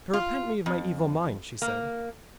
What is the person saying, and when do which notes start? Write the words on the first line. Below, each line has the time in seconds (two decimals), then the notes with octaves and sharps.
'To repent me of my evil mind,' she said.
0.13 F4
0.66 F2
1.62 A#3